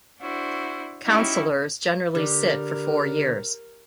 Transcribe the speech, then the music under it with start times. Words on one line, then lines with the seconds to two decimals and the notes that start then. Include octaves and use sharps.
Councillors generally sit for four years.
0.20 D4 E4 F#4 C5
1.05 C#4 D#4 E4 F#4 G4
2.15 D3 G3 A#4